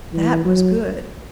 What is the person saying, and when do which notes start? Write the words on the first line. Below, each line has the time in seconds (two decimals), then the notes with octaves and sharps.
That was good.
0.13 E3
0.44 F#3